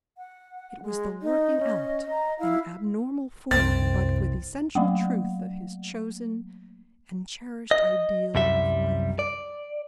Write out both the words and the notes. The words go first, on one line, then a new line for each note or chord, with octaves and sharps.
It was the working out, in abnormal form, but with essential truth, of his chosen and cherished ideal of life.
F#5
G#3
D#4 D#5
C#4
A#5
E4 F5
C2 F#2 C4 A6
F#3 A3 A#3
D#5
C2 F#2 G3 E5
D5